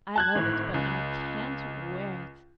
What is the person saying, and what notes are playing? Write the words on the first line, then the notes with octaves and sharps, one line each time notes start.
I love it, but I can't wear it.
A5 F#6 G#6
G#1 A2
C#2